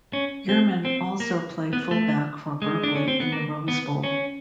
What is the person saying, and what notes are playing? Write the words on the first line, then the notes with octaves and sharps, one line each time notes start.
Yerman also played fullback for Berkeley in the Rose Bowl.
C#4
C4
C4
A#3
B3
A3
G#3
D4
C#4
C4
B3
A#3
B3
C#4